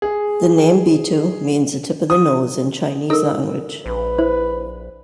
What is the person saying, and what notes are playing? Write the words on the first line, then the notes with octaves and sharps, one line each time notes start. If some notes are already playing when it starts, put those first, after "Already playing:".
The name "Bitou" means the tip of the nose in Chinese language.
G#4
D#6
D#4 A4 A#4 A#6
A#1 B4
E4 C5